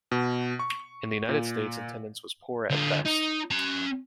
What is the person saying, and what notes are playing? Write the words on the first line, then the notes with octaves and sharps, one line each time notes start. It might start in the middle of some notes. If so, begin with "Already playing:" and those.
In the United States attendance was poor at best.
B2
C#6
A#2
D3 F4
D#4
C#4 A#5